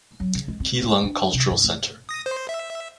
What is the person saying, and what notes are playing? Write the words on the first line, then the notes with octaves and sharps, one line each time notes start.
Keelung Cultural Center.
F#3
C#3
G#3
C4
D4
D4
C3
G2
A3
D#6 A#6
C5
E5